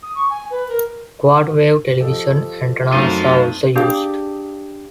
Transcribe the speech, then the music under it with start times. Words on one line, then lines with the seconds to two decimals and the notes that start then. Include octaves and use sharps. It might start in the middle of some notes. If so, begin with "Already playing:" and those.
Quarter-wave television antennas are also used.
0.03 D#6
0.15 C#6
0.30 G#5
0.50 B4
0.69 A#4
2.00 F3 G4 A4 D#5
2.92 F#2 A3 C4 D#4 F4 C5 D#7
3.75 D4 G4 G#4 F5